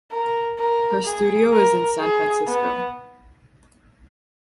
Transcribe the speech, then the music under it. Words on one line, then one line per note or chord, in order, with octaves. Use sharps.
Her studio is in San Francisco.
A#4
A#4
G#4
A#4
G#4
B3